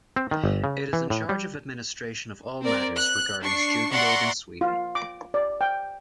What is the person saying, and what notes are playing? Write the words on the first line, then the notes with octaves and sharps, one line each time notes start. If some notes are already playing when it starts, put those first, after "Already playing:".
It is in charge of administration of all matters regarding student aid in Sweden.
C4
D#3
G1
C#3
E3
A2
G3
C4 A#4 D5
F#6
D4 C#6 C7
D5 E5 F#5 A#5 C6 C#6
F4
D6
D5
G5